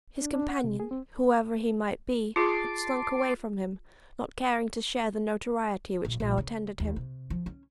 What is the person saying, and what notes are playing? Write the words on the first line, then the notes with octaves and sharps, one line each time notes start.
His companion, whoever he might be, had slunk away from him, not caring to share the notoriety which now attended him.
D4
D4
F#5
C3
G#4
C4
F4 G#4 A5 C6 D6
A#1
A#1
C#3
D#2
C3
F3
C#4